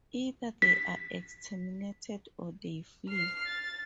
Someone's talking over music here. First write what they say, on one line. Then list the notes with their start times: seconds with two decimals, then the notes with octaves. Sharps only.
Either they are exterminated or they flee.
0.62 B6
3.09 F6 C7
3.46 A6